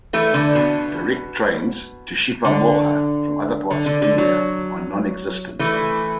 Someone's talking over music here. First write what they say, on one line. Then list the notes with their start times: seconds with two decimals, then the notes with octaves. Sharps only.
Direct trains to Shivamogga from other parts of India are non-existent.
0.13 E3 A3
0.34 D3
0.55 B2
2.45 D3
3.70 D3
3.86 D3
4.02 D3
4.18 F#3
5.59 E3 A3